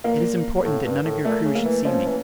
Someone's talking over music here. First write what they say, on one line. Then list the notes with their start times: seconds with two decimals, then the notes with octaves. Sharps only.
"It is important that none of your crew should see me."
0.04 A#2 A#3
0.65 A2
0.85 G2
1.05 A2
1.25 A#2 A3
1.45 C#3
1.55 A#3
1.65 E3
1.85 F3 C#4
2.07 E3